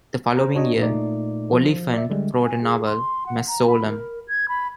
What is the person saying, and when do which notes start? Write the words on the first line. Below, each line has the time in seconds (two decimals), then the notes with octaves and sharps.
The following year, Oliphant wrote a novel, "Masollam".
0.37 C5 A#5
0.55 D4 F#4 C#5 D#5
0.78 A#2 A3 D#4 D5
1.52 F3
1.94 D5 E5
2.10 D3 G3 G#3
2.45 G#5
2.62 G#4
2.85 C6
3.26 F#5
3.48 A#5
3.67 B5
3.88 A#4
4.28 G#6
4.49 B5